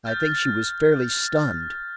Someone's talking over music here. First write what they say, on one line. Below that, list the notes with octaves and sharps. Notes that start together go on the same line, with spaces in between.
I think she was fairly stunned.
F6 G6 A6